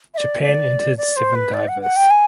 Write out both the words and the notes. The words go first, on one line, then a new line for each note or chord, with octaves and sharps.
Japan entered seven divers.
E5
D5
D5
D5
C5
B4
D5
F#5
F#5
G5
G#5